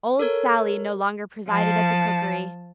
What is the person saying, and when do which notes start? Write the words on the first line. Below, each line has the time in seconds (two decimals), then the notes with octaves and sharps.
Old Sally no longer presided at the cookery.
0.19 A4 A#4 C#5
1.47 F3 A5